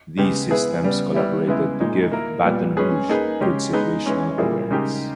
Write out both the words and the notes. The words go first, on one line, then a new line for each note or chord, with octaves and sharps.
These systems collaborated to give "Baton Rouge" good situational awareness.
C#3 G#3 B3 G4
G#3 B3 E4 G#4 B4
C#3 G3 B3
G3 B3 E4
C#3 G#3 B3 E4
A#2 G#3 D#4
A#3 E4 A#4
A#2 G3 B3
G#3 C#4 G#4 B4
A#3 D#4 G#4 B4
C#3 G#3 C#4 G4
G#3 B3 D#4 G#4 B4
E3 G#3 C#4
A#2 G3 A#3 E4 G#4
C#3 G#3 D#4 G4 A#4